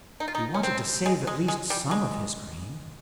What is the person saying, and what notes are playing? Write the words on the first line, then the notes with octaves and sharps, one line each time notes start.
He wanted to save at least some of his grain.
D#4
F4
D#4
C#4
C4
G#3
G#3
G#3
G3
G#3